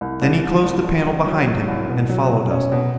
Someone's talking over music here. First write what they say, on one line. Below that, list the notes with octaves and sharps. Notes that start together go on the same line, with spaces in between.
Then he closed the panel behind him and followed us.
C2
C2
C2
C2
C2
C2
F#3
F#3
C2
B2
F#3
B2
C#4
B2